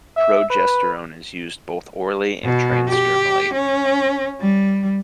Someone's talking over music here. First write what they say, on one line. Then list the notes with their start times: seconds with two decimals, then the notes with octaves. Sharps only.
Progesterone is used both orally and transdermally.
0.17 E5
0.50 B4
2.44 B2
2.88 G4
3.54 C#4
4.40 G3